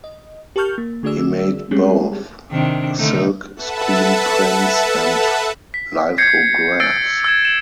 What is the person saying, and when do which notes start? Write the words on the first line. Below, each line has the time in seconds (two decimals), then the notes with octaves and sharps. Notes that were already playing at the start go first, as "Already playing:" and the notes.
He made both silk screen prints and lithographs.
0.04 D#5
0.56 G4 A#4 A5 C#6 F6 G6
0.78 A#3
1.03 D3 A3 F#4 G#4 D5 E6
1.71 G3 G#3 C4 C#4 G4 G#4
2.52 C3 D#3 D4
2.97 D3 A3 D#4
3.56 A4 B4 E5 F#5 A5
5.74 B6
6.18 G6 G#6 A#6 C7 C#7
6.80 E6 A6 C7 D7
7.24 E6 G#6 E7
7.45 E7 F#7